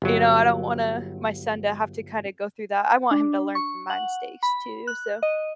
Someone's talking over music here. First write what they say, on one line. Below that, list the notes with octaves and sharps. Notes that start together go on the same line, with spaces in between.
you know, I don't wanna my son to have to kind of go through that. I want him to learn from my mistakes too, so
G1 F#3
D4
C#6
F#5
B5
F#6
D#5